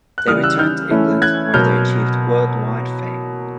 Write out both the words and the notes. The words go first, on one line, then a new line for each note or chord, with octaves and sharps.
They returned to England, where they achieved worldwide fame.
F#6
C#3 E3 G3 D#6 F6
E6 F#6
F6 G6
E3 A3 C#4 E4
F#6 G#6
B2 F#3 A#3 F6 G6